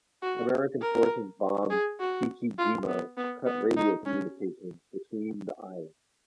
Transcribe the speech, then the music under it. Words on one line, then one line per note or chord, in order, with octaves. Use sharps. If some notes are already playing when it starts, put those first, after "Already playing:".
American forces bombed Chichi-jima to cut radio communications between the islands.
F#4
A#4
G#4
F#4
F4
B3
B3
B3
D#4
C#4